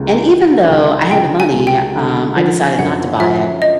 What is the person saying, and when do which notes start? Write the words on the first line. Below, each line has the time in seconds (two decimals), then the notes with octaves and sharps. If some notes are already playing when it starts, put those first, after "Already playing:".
and even though I had the money, um, I decided not to buy it
Already playing: C#2 A#3
0.29 E3
0.69 C#2
1.11 C#2 G5
1.40 G#5
1.53 C#2
1.67 G5
1.95 D3
2.36 F3
2.78 F#2 F#5
3.20 F3 E5
3.62 D#5